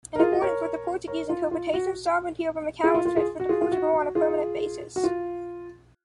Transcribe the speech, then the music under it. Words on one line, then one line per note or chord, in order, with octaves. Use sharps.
In accordance with the Portuguese interpretation, sovereignty over Macau was transferred to Portugal on a permanent basis.
A#4
F4 G#4
D#5
A#4 C#5
A#4 C#5
F4
F4
F#4
F4 G#4
F4
F4
F4 G#4
F#4
F4 G#4
F4
F#4
F#4
F4 G#4
F#4
F4